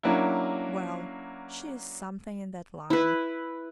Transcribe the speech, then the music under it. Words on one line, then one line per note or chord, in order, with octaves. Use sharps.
Well, she's something in that line.
F#3 A#3 C#4 D4 E4
E4 B4